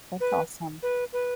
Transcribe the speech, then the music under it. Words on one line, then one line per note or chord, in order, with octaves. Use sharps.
That's awesome.
B4
B4
B4